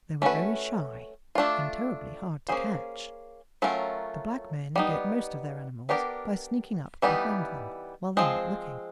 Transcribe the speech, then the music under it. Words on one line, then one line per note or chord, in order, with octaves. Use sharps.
They were very shy and terribly hard to catch. The black men get most of their animals by sneaking up behind them while they are not looking.
A3 C#4 F#4 B4
A3 D4 F4
A#3 C#4 E4 G#4 C5
F#3 A3 C#4 F4 A#4
G3 B3 D#4
B3 D4 G4 A#4 D5
E3 G3 B3 D#4
F3 G#3 C4